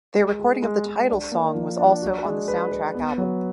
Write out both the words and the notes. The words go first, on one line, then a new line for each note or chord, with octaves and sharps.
Their recording of the title song was also on the soundtrack album.
G#3
G#4
G#3
G#3
D4
A#3
F3
D4
F#4
G#3
B4
B4
B3
F#3